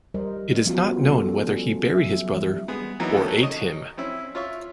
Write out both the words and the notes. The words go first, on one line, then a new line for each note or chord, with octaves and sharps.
It is not known whether he buried his brother or ate him.
G3 A#4 C5 D#5
F3 G3 B3 C#4 F4 F#4
G3 C#4 A4
F#3 E5
E3 G3
G#3 B3 G#4
E3 F#3 A#3 B3 D#4 E4
D#3 F#3 C#4 A4
C#5 D#5
C4 C#4 E4
F4 C#5 E5 C#6